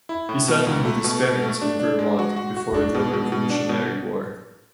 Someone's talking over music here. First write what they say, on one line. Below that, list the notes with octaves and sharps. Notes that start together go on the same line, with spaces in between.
He settled with his parents in Vermont before the Revolutionary War.
E4
A2
B2
C#2
A3
B2
B2
A3
D4
D4
G#3
F#4
F#4
F#4
D4
B2
B2
B2
D4
B2